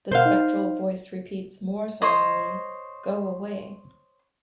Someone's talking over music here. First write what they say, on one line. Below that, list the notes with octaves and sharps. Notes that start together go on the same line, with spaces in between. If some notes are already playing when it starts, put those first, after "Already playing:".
The spectral voice repeats more solemnly, "Go away!"
B2 A#4 C5 F5 F#5
D#4
C5 C#5 D#5